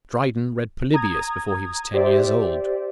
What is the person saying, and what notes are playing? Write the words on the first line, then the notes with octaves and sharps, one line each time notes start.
Dryden read Polybius before he was ten years old.
A#5 D#6 G#6
G4 C5 D5 E5